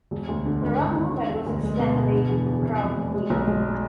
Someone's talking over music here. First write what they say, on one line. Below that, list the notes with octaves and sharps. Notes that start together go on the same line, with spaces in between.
The wrong woman was accidentally crowned queen.
E1
D2
D3
G#1
G#1
G#1
D3
E1
D2
G#3
B2
B2
D3
E2
E2
C3
F2
F1
G#3
B1
G#3